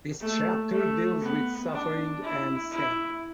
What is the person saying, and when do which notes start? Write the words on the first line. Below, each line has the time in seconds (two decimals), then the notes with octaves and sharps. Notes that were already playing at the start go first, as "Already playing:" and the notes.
This chapter deals with suffering and sin.
0.20 A3
0.70 A3
1.21 B3
1.71 D4
2.22 E4
2.71 E4